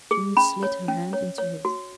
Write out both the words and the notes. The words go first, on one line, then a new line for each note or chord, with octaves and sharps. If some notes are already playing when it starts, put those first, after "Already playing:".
June slid her hand into his.
G#4
C#4 B5
C#5
C#4
C#5
C#5
F#4